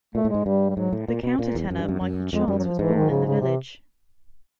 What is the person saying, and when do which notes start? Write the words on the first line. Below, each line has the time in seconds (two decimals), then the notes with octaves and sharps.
The countertenor Michael Chance was born in the village.
0.15 A#2 A3
0.25 A2
0.30 G#2 G#3
0.45 G2 G3
0.70 G3
0.76 G#2 F#3
0.93 A2
1.08 A#2
1.23 B2
1.39 A#2
1.55 E2
1.71 F#2
1.79 G2
1.89 F#2
2.01 F#2
2.33 F2 G#3
2.47 F#2 G3
2.59 F#3
2.64 F3
2.79 G#2 E3
2.95 D#3
3.10 C#3
3.26 C#3
3.41 C3